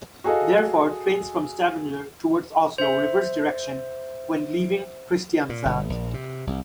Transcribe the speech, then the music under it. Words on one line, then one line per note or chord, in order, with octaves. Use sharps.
Therefore, trains from Stavanger towards Oslo reverse direction when leaving Kristiansand.
F#4 G#4 A4 D#5 F5
C5 E5
A#2
G1
A#1
C3
C2